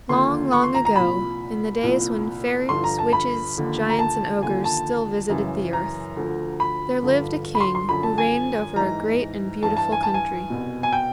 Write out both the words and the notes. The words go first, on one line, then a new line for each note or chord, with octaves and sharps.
Long, long ago, in the days when fairies, witches, giants and ogres still visited the earth, there lived a king who reigned over a great and beautiful country.
D#2 D3 F3 C6
C#6
C6
A#5
A#5
C2 A#2 F3 B5
C2 A#2 F3
G2 D3 F3 C6
A#5
A5
B5
D#2 D3 F3
A#5
A5
D#2 D3 F3 G#5
A5
F#2 C#3 E3
A#5
D2 D3 F3
B5
G2 D3 F3
B5
C6
C6
F#2 D3 F3 B5
A5
G#5
G#2 E3 A#5
G2 E3 A5
A5
G#5
A5
G#5
C2 B2
G#5
G5